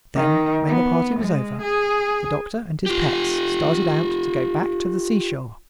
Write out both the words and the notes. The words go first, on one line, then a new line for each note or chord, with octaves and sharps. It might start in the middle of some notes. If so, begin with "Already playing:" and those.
Then, when the party was over, the Doctor and his pets started out to go back to the seashore.
D#3
B3
G#3
G#4
F4 G4